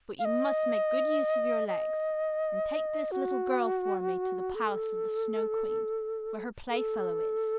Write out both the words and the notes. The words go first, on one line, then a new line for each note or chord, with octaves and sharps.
But you must make good use of your legs; and take this little girl for me to the palace of the Snow Queen, where her playfellow is.
F5
D#5
D#5
F#4
A4
A4